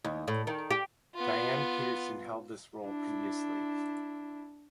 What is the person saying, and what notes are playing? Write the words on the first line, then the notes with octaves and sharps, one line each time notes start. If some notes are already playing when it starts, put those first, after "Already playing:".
Dianne Peterson held this role previously.
D#2
A2
D#3
G4
B3 F4
D4 E4